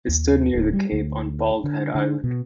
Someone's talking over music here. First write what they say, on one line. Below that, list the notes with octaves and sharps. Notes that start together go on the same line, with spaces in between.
It stood near the cape on Bald Head Island.
D#2
D1
G3
D2
D3
D3
B2